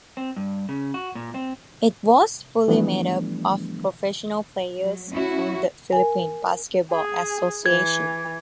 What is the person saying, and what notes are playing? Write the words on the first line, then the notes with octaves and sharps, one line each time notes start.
It was fully made up of professional players from the Philippine Basketball Association.
C4
G2
C#3
F#4
A#2
C4
E3 F3 G3 A3 B3 D4
F#3
C#4 E4 F#4
A#4 G#5
G#4
E3 G#6